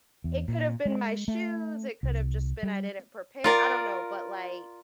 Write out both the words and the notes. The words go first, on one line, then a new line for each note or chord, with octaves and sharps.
it could have been my shoes; it could have just been I didn't prepare I don't know, but, like
E2
A#2
G#3
A3
C2
G3
F4 A#4 D5